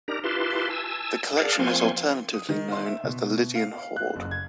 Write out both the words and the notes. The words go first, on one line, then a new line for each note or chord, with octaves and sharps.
The collection is alternatively known as the "Lydian Hoard".
D4 D#4 G4 A#4 A#5
E4 F4 G4 B4 A5 C6
G#5 A5 E6
G#4 A#4 D5 F5 F#5 A5
F3 A#3 C4 G#5 C6 C#6
D#6
D#3
C6
E5
B2
F5
F#6
F#1
G#6